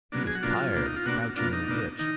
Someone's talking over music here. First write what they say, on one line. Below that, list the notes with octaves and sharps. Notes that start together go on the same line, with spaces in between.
He was tired of crouching in a ditch.
B2 F#3 A#3 D4
G#4
F#4
B2 F#3 A#3 D4 F4
B2 A#3 D4
D#4
F4
B2 A#3 D4 F#4
B2 A#3 D4 F4
D#4
B2 A#3 D4
D#3 D#4